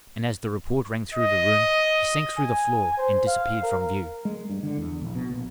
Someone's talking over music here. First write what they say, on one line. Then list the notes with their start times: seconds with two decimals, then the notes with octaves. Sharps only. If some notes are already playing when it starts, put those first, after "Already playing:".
And as the report rang through the room, he sank through the floor, and disappeared from view.
1.14 D#5
2.37 G#5
2.98 C5
3.27 F5
3.63 A#4
4.25 G#3
4.49 G2
4.63 D3
4.77 E2
5.01 A#1
5.15 B2
5.30 A#1